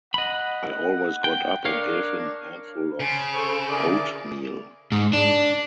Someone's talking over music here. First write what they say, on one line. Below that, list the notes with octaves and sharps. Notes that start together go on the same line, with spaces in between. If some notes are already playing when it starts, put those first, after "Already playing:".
I always got up and gave him a handful of oatmeal.
D#5 F#5 B5
G5
D4 A#4 C#5 F5
C#3 C5 A5
G#4 A4 C5 C#6
E4 G#4 A#4 D5 D6
G#2
D4